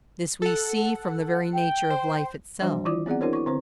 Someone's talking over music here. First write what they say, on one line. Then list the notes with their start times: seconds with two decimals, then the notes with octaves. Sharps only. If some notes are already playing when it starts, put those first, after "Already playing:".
This we see from the very nature of life itself.
0.42 A4 F#5
1.53 G5
1.90 C5
2.61 E3 F3 G3 D4 F#4 C5
2.85 D#3 E3 E4 F4 D5 D6
3.06 B3 C4 G#4 D5 F#5
3.21 D4 E4 F#4 A#4 C5 C#5
3.33 E4 C#6
3.46 D3 C4 C5